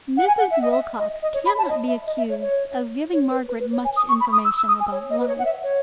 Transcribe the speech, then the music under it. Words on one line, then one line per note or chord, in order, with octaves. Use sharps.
Mrs. Wilcox cannot be accused of giving Margaret much information about life.
F#5
G#5
F#5
E5
D#5
E5
D#5
D#5
C#5
B5
A5
C#5
D#5
E5
D#5
E5
C#5
C#5
C#5
B4
B4
B4
C#5
G#5
D#6
C#6
B5
D#6
E6
E6
D#6
G#5
C#5
D#5
B4
C#5
F#5
E5
C#5